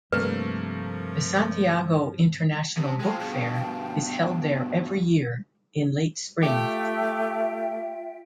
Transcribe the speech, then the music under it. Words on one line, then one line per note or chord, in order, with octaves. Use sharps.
The Santiago International Book Fair is held there every year in late spring.
G2 C3 F3 A3 A#3 B4
C3 C#4 A5 D#6
F3 G#3 A4 F5 G5 A5
G2 B2 G#4
B3
A3 F4 G4 E5 G5